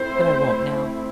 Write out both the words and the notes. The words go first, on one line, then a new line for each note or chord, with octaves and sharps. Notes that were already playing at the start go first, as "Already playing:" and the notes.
But I won't now.
Already playing: A3 C4 E4 C5